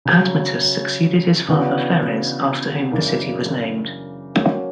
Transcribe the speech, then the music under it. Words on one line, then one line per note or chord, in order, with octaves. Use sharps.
Admetus succeeded his father Pheres after whom the city was named.
C#3 F#3 C#4
C#3 E3 B3 D4 F#4
F#2 C#3 E3 A#3 D4
F#3 A#3 C#4 F#4